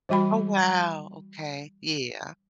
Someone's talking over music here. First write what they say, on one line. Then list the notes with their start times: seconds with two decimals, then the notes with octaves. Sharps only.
Oh, wow. Okay. Yeah.
0.09 E3 G3 F#4 G5 B5